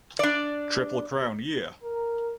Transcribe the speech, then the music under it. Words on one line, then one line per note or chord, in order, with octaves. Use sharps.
Triple Crown year.
D4 D5
A#4